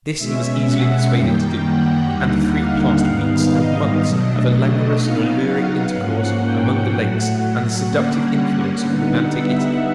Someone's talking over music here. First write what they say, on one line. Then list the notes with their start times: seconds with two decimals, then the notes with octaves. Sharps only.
This he was easily persuaded to do; and the three passed weeks and months of a languorous and alluring intercourse among the lakes and the seductive influence of romantic Italy.
0.18 B2 G#3 C#4 E5
0.67 F#5
1.14 F#2 D#3 G3 A#3 G5
1.63 F#5
2.11 D#2 D3 G3 A#3 D#4
2.59 F5
3.07 G#2 D#3 G3 B3 D#4
3.55 D#5
4.04 B2 F#3 A3 D4
5.00 C#3 F#3 B3 D#4 F5
5.48 F#5
5.96 G#2 F3 A#3 C#4
6.43 G5
6.92 A2 F#3 A3 F#5
7.88 D3 G3 A#3 C#4 F#5
8.36 F#5
8.85 D3 G3 B3 D#4
9.33 E5